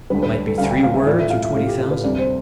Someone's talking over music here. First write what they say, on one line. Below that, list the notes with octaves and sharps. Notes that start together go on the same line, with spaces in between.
It might be three words or twenty thousand.
D2 D3 G3 B4
B4
A4
D2 D3 G3 F5
G5
F5
E5
A2 F3 A3 D5
E5
F5
E5
A2 F3 A3 A4
G4
G4
B4
D2 C3 G3 D5
C5